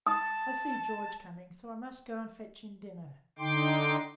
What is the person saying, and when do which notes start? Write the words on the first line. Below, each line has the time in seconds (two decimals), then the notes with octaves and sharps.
'I see George coming, so I must go and fetch in dinner.
0.07 A5 D#6
3.39 D3 D#4 G5 C6 D6